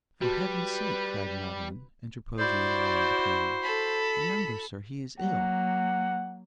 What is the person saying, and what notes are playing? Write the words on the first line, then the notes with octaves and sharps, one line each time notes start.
'For Heaven's sake!' cried Madeline, interposing in alarm between them. 'Remember, sir, he is ill.'
G3 F#4 B4 A5
E4 F#4 C5 D5 G6
A4 B5 B6
F#3 A#3 F#5